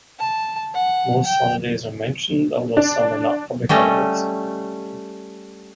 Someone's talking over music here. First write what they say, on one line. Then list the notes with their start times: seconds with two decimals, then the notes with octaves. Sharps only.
Most holidays are mentioned, although some are not public holidays.
0.19 A5
0.74 F#5
1.25 G5
2.77 D4
3.69 G3 A3 C#4 D#5